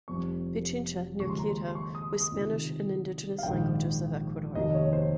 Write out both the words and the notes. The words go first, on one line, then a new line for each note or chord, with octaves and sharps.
Pichincha, near Quito, with Spanish and indigenous languages of Ecuador.
F1 F2 C3 G3 C#6
D#2 C#3 F3 G#3 C#6
C6
A#5
C6
C6
C#6
D#6
D#6
C#2 C3 D#3
F5
A#1 G#2 D#3 G5
F1 D#2 D#3 D#5
C#5
C5